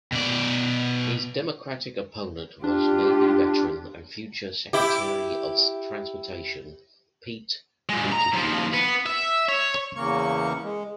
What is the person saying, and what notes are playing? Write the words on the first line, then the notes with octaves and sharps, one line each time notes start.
His Democratic opponent was Navy veteran and future Secretary of Transportation Pete Buttigieg.
B2 D5
D4 F4 G4
E4 G4
A#2 G#3
A#5
D#2 F3
B3
E5
C#5
E2 C#3 A#3 C#6
G#3